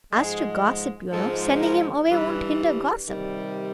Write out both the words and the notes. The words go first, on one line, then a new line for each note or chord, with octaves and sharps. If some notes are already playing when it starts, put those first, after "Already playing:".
As to gossip, you know, sending him away won't hinder gossip.
G#2 F3 G#3 G#4
G#2 F3 G#3 A4
A#4
G2 E3 G3 B4
C3 D#3 G3